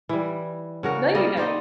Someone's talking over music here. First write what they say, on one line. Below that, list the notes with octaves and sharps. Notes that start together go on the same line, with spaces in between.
No, you don't.
E3 G3
C#3 F#4 A#4
G3 A#3 D5 D#5
D#4 C5 D5 D#5